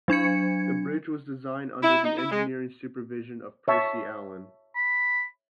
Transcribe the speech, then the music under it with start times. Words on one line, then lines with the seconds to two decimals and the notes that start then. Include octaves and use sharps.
The bridge was designed under the engineering supervision of Percy Allan.
0.08 F#3 D4 G#6 C#7
1.83 E4
2.03 D#4
2.17 E4
2.31 G#3
3.68 C#5 E5 A5
4.75 B5